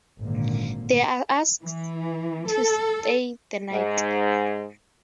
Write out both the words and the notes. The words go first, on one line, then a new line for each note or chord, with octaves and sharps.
They are asked to stay the night.
G#1 A#2 D3 A#3
E3
A4
G#2